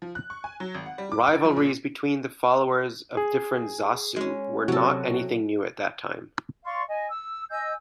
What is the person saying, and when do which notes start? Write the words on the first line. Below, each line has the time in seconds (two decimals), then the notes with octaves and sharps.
Rivalres between the followers of different "zasu" were not anything new at that time.
0.02 F3
0.15 F#6
0.30 C#6
0.44 G#5
0.60 F#3
0.75 G#1
0.86 F#5
0.98 G3
1.12 D6
1.27 D7
1.45 F3
1.57 A#2
3.17 G#4
4.16 G#3 C#4
4.68 C3 F#3 F#4 A4
6.64 D5 F5 C6 C#6
6.88 D#5 G#5
7.09 E6
7.50 D#5 G#5 E6 G6